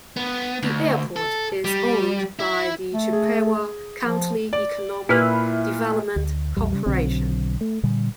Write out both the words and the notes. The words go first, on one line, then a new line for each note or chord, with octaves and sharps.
The airport is owned by the Chippewa County Economic Development Corporation.
B3
D2
A4
G3
E4
A3
G#4
F3
D5
A#2 E4 B4 F6
D2
A#1 E2 G3
C#3 G3
B1 D3 F#3 C4
A3
A#2 D3 G3